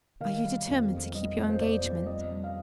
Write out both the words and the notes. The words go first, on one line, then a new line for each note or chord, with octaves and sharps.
"Are you determined to keep your engagement?"
D#3 F5
G3
F2
F2
G3 D#5
F2
C5
F2 D5
F2
G3 D#5
G3
F5